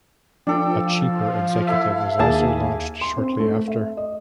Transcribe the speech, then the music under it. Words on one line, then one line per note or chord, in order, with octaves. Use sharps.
A cheaper Executive was also launched shortly after.
F3 D4 A4 D5 G5
F5
E4 A4 E5
D#2 A#3 G#4 G#5 A5
C6
C4
A3
E5
D#5